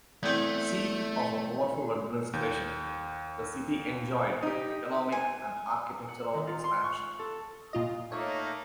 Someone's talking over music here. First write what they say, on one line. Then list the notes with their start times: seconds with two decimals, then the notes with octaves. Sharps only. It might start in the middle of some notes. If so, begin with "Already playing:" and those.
Seat of a powerful administration, the city enjoyed economic and architectural expansion.
0.23 E2 A3 C4
2.33 D#2 G6
4.43 D#4 G4 D#6
5.12 G#5
6.08 F#5
6.34 D#3
6.47 F4
6.64 C6
6.84 C#6
7.19 A4
7.73 A#2 F4 D#5
8.12 A3 A#3 D#4 C#5